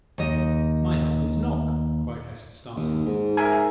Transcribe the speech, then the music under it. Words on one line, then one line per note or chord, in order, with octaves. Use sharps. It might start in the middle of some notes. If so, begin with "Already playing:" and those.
"My husband's knock!" cried Hester, starting up.
D#2 D#5
D#2
G#2
A#4 E5 G#5